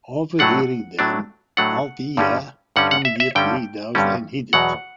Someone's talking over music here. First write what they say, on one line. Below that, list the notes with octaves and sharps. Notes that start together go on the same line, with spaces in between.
Overhearing them, Althaea immediately doused and hid it.
A2 F#3 A3 D4 F#5
A2 F#3 A3 D4
A2 F#3 A3 D4 F#5
G2 D3 G3 C#4
G2 D3 G3 C#4 F#5
F#5
E5
E5
G2 D3 G3 C#4 G5
G2 D3 G3 C#4
E2 B2 F#3 F#5